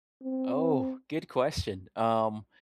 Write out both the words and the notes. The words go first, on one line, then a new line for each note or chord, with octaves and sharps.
Oh, good question, um,
C4